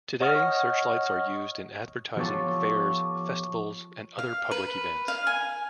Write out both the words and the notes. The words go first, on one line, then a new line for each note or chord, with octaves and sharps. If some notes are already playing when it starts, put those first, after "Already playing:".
Today, searchlights are used in advertising, fairs, festivals and other public events.
C#5 D#5 F#5 C#6 D#6 F6
F3 B3 F4 G4 A4 C#5
F5
B4
F5
G#5